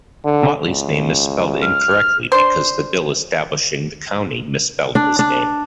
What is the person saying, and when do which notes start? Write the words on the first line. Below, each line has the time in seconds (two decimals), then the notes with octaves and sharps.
Mottley's name is spelled incorrectly because the bill establishing the county misspelled his name.
0.24 D3
0.66 C#2
1.63 F6
2.32 D4 C5
4.95 D4
5.19 D4